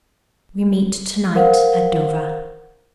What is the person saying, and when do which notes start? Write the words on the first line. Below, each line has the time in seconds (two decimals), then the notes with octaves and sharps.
We meet to-night at Dover!
1.35 A#4 C5 F5 F#5